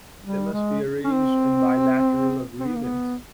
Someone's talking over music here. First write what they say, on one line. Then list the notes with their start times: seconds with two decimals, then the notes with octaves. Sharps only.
They must instead be arranged in bilateral agreements.
0.22 G3
0.52 G#3
1.04 C#4
1.11 C4
2.60 C4
2.67 B3
2.75 A#3
2.83 B3